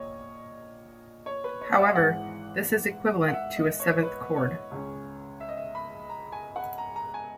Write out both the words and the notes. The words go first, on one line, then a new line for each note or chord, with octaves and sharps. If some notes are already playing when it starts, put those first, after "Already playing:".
However, this is equivalent to a seventh chord.
Already playing: A#1 A#2 A#3 C#5 D#5
C#5
B4
C#5
F#5
E5
G#1 G#2 E3 G#3 F#5
F#5
E5
D#5
C#5
B4
C#5
C#2 C#3 G#3 C#4
E5
D#5
E5
B5
A#5
G#5
F#5
A#5
A#5
G#5